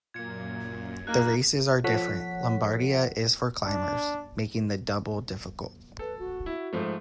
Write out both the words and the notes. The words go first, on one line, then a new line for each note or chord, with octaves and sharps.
The races are different - Lombardia is for climbers - making the double difficult.
F#2 A#2 A#3 G#6 C#7
A#3 D#4 E4 G#4 F#6
F3 A4 C#5 F#5 B6
D4
A4 B4
F#4
E4
G#2 F3 A3